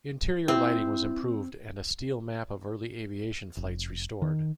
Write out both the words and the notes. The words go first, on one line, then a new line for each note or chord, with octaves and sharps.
Interior lighting was improved and a steel map of early aviation flights restored.
C4 E4
F1
D#3